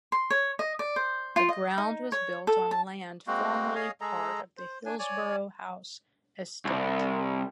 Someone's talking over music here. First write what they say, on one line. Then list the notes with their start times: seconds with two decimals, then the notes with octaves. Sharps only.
The ground was built on land formerly part of the Hillsborough House estate.
0.12 C6
0.31 C#5
0.59 D#5
0.79 D5
0.96 C5
1.36 F4
1.49 D#5
1.78 D#4
2.12 C#5
2.47 A4
2.71 A5
3.27 G#3 A#3 C4 F#4
3.75 G#4 C#5 D#5 F5
4.01 G#3 G#4 A4 A#5
4.57 C5
4.85 D4 G#5
4.99 C#5 D5 G#5
6.65 C2